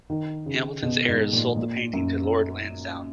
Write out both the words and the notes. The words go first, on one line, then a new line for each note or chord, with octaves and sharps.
Hamilton's heirs sold the painting to Lord Lansdowne.
D#3
C#3
B2
G#2
A#2
A#2
F#2